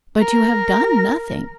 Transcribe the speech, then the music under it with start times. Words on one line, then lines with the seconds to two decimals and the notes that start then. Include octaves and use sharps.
'But you have done nothing.'
0.21 A#4